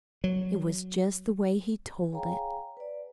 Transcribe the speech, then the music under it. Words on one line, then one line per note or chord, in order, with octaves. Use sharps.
It was just the way he told it.
F#3
G#4 C#5 F5 G5 G#5 A#5
B4 D5